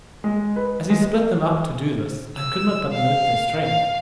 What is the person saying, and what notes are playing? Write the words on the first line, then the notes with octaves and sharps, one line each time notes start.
As he split them up to do this, I could not but note their strength.
G#3
B4
G#3
E6
F5
F5